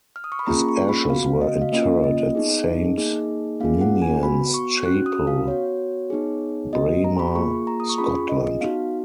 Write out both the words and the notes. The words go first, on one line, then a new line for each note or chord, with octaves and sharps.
His ashes were interred at Saint Ninian's Chapel, Braemar, Scotland.
F6
D#6
C#6
B5
A#3 C#4 F4 G#4 A#5
C#6
B5
B3 F#4 F5
D#5
F5
A#3 C#4 F4 D#5
D#5
B3 D#4 G#4
A#3 D#4 G#4
A#3 C#4 F4 G#4 F5
F#5
G#5
B3 F#4 B5
C#6
C#4 F#4 F#6
D#6
F5
B3 F#4 C#5
B3 D#4 G#4
B3 F#4 D#5
A#5
B5
A#3 F4 G#4 C#6
A#5
D#6
C#6
C#4 F4 G#4 B5
D#5
B3 D#4 F#4 F5